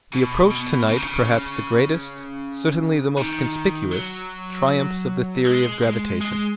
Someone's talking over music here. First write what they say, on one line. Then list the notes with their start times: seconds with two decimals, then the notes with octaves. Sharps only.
We approach to-night perhaps the greatest, certainly the most conspicuous, triumphs of the theory of gravitation.
0.13 B2
0.51 B2
0.89 C#3
0.96 D#3
1.03 C#3
3.17 D#3
3.92 F#3
5.45 G#3
5.83 G#3
6.21 G#3